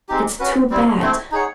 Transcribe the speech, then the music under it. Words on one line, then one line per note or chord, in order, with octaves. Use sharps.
It's too bad!
G#3 C4 D#4 G4
C#4 F#4 B4
G3 C4 E4
A3 C4 E4
D#4 G#4 C#5 F#5